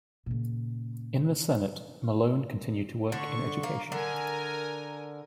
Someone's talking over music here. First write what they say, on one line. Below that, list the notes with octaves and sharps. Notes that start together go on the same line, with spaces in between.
In the Senate, Malone continued to work in education.
A#2 C#3
D3 C#6
A#3
D3 A#4 G#5